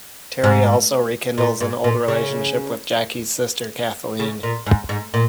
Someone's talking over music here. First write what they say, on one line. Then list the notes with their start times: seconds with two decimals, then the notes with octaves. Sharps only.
Terry also rekindles an old relationship with Jackie's sister Kathleen.
0.44 G#2
1.38 A#2
1.61 G#2
1.84 A#2
2.08 C#3
4.20 C#3
4.43 A#2
4.66 G#2
4.89 G#2
5.14 A#2